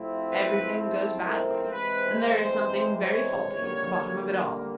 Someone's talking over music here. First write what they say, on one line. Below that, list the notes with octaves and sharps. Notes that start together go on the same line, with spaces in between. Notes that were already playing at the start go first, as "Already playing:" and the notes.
Every thing goes badly, and there is something very faulty at the bottom of it all.
Already playing: C3 F3 A3 C4 E4
B4
A4
A#4
C3 E3 G#3 C4 B4
C5
C#5
D3 G3 A#3